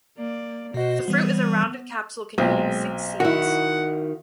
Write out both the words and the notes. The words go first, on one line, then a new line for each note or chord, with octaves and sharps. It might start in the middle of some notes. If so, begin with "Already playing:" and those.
The fruit is a rounded capsule containing six seeds.
A#3 D5
B2 F#4 C5 D#5
E3 G3 B3
B1 A#2 G#3 C4
D#3 E4 F#4 F#5